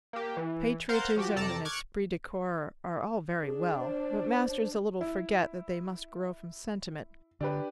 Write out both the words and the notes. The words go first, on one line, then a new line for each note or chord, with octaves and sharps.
Patriotism and esprit de corps are all very well, but masters a little forget that they must grow from sentiment.
A#3 G4
E3
A#4 C5 F5 F#5 G6 A6
F3 F#4 G4
F2 C3 A4 D5 A5 A#5
C#6 D6 F6 F#6 G#6 C#7
D4 G#4
C5
E4
D3 D4 G4 B4